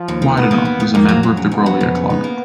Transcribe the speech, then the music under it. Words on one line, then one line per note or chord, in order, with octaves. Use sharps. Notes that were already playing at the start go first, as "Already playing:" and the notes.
Widener was a member of the Grolier Club.
Already playing: F3
D#2
D#3
B3 D#4
A#3
D#2
D#3
F2 A#3
F#3
F2
C#3
F2 B3
F#3
F2
C#3
D#4
A#3